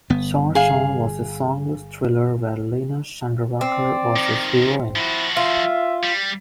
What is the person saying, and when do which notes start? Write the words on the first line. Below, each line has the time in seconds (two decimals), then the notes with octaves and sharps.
'Chor Chor' was a song-less thriller where Leena Chandavarkar was his heroine.
0.10 G1 B3
0.55 G#4 F5
3.61 C4 D5
4.16 D#3 F3
4.96 F3 E4 F#4
5.37 F4 E5
6.03 G3